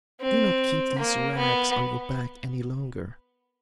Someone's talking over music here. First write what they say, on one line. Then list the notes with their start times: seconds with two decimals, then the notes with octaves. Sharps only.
Do not keep these rags on your back any longer.
0.21 C4
0.99 A#3
1.37 B3